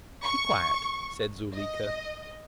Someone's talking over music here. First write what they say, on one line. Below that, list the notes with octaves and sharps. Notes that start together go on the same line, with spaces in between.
"Be quiet," said Zuleika.
C#6
D#5